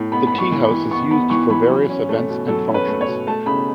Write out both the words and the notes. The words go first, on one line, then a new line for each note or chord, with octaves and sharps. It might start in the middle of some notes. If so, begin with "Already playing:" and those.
The teahouse is used for various events and functions.
Already playing: A2
B3 B5
B5
B3
C#6
E3
B5
E3
B3 C#6
B3 B5
E3 C#6
E3 B5
F#3
C#4
A3
B2
F#3 A4
C#4
B4
A3
C#5
B2
A3 A5
C#3 B5